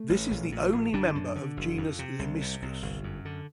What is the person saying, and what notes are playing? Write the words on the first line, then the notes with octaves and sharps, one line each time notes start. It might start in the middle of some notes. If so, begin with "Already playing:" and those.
This is the only member of genus Lemmiscus.
Already playing: A3
A1
A#1
A#2
A#1
G1 D3 D4
F#2
D3
F#1
F2
C3
C2
C3
C2
G1
F#2
D3